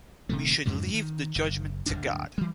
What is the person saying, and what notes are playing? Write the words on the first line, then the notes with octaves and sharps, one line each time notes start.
We should leave the judgment to God.
D#1 C3 D#3 A3
F2 G#2 C#3 F#3
D#3
F#1
D1 G1 G2 D4
E3 G3